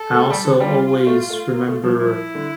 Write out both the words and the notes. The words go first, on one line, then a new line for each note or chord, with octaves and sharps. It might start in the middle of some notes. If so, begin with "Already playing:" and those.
I also always remember,
Already playing: A4
A3
G3
D3
G3 F4
A3
A3
A#3
A3
F3
F3 E4
D3